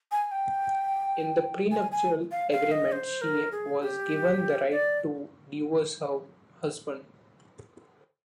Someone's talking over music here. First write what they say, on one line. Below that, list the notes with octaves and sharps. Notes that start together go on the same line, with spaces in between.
In the prenuptial agreement she was given the right to divorce her husband.
G#5
G5
G#5
G#5
F5
F5
D#5
C5
A#4
G#4
G4
D5